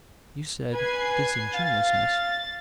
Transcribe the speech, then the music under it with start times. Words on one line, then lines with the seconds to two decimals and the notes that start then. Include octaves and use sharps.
You said disingenuousness.'
0.74 B4 G#5 G#6 C7
1.55 F5 A6